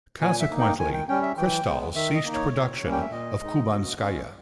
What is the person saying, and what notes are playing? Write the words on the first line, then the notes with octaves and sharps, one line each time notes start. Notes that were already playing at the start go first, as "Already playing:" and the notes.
Consequently, Kristall ceased production of Kubanskaya.
A#2 G#5
E5
A#3 D#4
G5
D#3 G#5
G5
G3 C#4 G5
E5
E3 G5
G#3 B3
D#3 E5
D#5
A#3 D#4
C#5
A#2
G3 A#3 C#4
G5
E5
A#2 D#5
G#3 D#4
B2
G#3 C#4